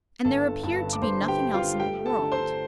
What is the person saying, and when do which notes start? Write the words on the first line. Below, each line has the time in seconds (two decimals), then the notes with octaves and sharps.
And there appeared to be nothing else in the world.
0.25 G1 A4 A5
0.44 D3
0.63 G2 A4 A5
0.83 D3
0.93 D6
1.02 G1 C5 C6
1.21 D3
1.28 G4 G5
1.41 D3
1.54 F4 F5
1.61 D3
1.80 A3 G4 G5
1.99 A3
2.06 A4 A5
2.19 D3
2.32 C5 C6
2.38 D3